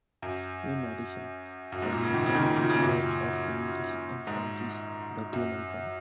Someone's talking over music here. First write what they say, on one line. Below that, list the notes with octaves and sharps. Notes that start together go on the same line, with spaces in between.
In addition, conversational knowledge of English and French is documented.
F#2
F#2
G#2
A#2
C#3
A#2 D#3
C#3
A#2 D#3
A#2
C#3
F#2 A#2
G#2
F#2